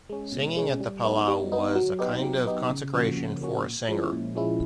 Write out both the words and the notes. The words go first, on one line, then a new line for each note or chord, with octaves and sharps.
Singing at the Palau was a kind of consecration for a singer.
G#3 C#4
B2
G#3 C#4
G3
B3 D#4
G3
B3 D#4
F#3
B3 D#4 G4
F#3
B3 D#4 G4
C#3
F3 A#3 C#4 F#4
C#3
F3 A#3 C#4 F#4
A#2
F3 G#3 C#4 E4
A#2
F3 G#3 C#4 E4